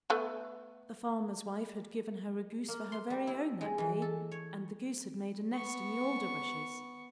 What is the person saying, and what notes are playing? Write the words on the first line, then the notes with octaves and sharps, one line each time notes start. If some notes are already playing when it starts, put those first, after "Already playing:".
The farmer's wife had given her a goose for her very own that day, and the goose had made a nest in the alder bushes.
A3 B3
A#3
C6
G3
E4
G#3
E3
A4
C#5
B3 C#6